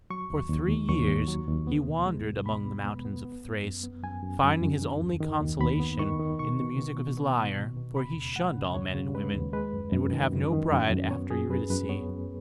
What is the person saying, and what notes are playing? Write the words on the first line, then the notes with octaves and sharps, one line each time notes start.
For three years he wandered among the mountains of Thrace, finding his only consolation in the music of his lyre, for he shunned all men and women and would have no bride after Eurydice.
F#3 C#6
D#2
D#2
D#2
D#2 C#6
D#2
F#3
D#2
B3
B2
G#3
B2
B2 B5
B3
B3
B3
B3
F#2
F#2
B3
F#2 G#5
F#2
F#2
F#2
D#3
D#2
D#3
D#2
D#2 B5
B3
D#3 C#6
D#3
B2 C#6
B2
B3
B2
B3
B2
B2
B2
C#3 B5
D#2
G#3 F#5
C#3
D#2 C#5
C#3
G#3 B4
D#2
G#3 B4
F#2
F#2
D#3
F#2
D#3
F#2
F#2
B3 C#5
F#2 G#4
F#2 B4
F#2 B4
B3 C#5
F#2